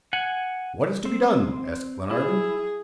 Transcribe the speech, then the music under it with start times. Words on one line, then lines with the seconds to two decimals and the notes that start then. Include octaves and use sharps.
"What is to be done?" asked Glenarvan.
0.13 F#5 G#5
1.05 C4
2.11 E4 G#4